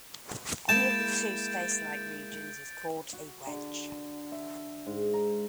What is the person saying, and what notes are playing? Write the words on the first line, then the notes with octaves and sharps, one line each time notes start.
Any of the two spacelike regions is called a wedge.
G#3 A#3 E4 A5 G6 A6 D7
F#4
D3
E5
G#2
A#5